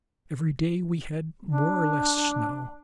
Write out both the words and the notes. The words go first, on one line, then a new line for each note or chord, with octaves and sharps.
Every day we had more or less snow.
D4